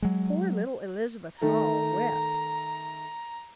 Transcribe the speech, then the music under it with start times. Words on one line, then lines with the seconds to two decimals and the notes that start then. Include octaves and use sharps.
Poor little Elizabeth Hull wept.
0.02 F#3 G#3
1.42 D#3 A3 A#5